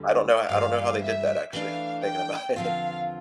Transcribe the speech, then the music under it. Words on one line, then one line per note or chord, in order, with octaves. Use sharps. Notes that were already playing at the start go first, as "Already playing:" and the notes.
I don't know I don't know how they did that, actually. I'm thinking about it.
Already playing: D2 D3 G3
G2 E3 G3 F5
E5
E3 A3 D4 F5
G5
E2 D3 F3 C4 F4 F5